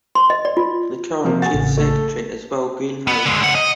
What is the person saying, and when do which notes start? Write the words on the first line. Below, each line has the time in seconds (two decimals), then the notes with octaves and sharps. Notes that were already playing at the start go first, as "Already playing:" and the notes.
The current Chief Secretary is Will Greenhow.
0.15 C6
0.30 D#5
0.45 D5
0.57 F4
1.24 C3 F3 A#3
1.42 F#4 G#4 A6
1.54 A1 C#3
1.77 A3 A4
3.08 B3
3.26 D3 G#3
3.42 C#2 F#5
3.55 D#5